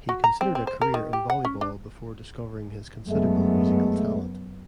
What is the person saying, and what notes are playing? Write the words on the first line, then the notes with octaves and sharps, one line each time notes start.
He considered a career in volleyball before discovering his considerable musical talent.
F#4
A#5
C4
C4
C5
A#4
D#3
G4
F#5
C#4
D4
F#2 G#3 A3 B3